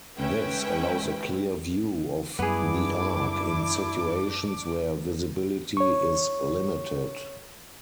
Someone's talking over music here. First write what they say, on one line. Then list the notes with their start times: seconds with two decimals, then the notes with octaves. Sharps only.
This allows a clear view of the arc in situations where visibility is limited.
0.17 G#3 C#4 B4 E5 G5
2.39 F#2 G3 B3 D4 E4 G#4 D6
5.77 C#5 C#6